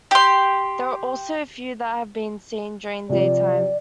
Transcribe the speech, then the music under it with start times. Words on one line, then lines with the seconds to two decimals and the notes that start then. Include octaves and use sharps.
There are also a few that have been seen during daytime.
0.11 G4 C6
3.09 C3 F3 D5